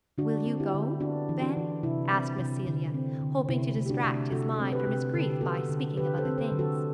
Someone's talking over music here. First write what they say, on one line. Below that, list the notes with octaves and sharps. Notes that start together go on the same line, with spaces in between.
"Will you go, Ben?" asked Miss Celia, hoping to distract his mind from his grief by speaking of other things.
D3 D4 F#4
C4
E4 G4
D3
B3 D4 F#4
E3
D4 F#4
E3
C3 E4
C4
C3
D3
C4
D3
C3 E4
A3
G4
D4 F#4
C3
C3 F#4 A4
C4
G4 B4
C3
D3 A4
G4
B3 F#4 A4
D3
D3 G4 B4
A4 C5
C4
A4 C5
D3
F#4 A4